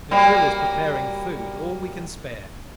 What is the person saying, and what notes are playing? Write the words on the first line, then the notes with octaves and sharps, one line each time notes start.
The crew is preparing food, all we can spare.
F#3 G3 A#3